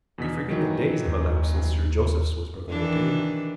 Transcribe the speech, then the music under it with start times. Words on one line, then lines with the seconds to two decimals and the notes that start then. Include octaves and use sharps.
"You forget that days have elapsed since Sir Joseph's was broken into."
0.18 E2 B2 B6
0.50 D#3 E3 F#3
1.06 D#2
2.69 D#3 E3 D4